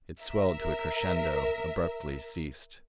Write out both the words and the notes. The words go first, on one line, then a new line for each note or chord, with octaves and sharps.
It swelled to a crescendo; abruptly ceased.
A#4 E5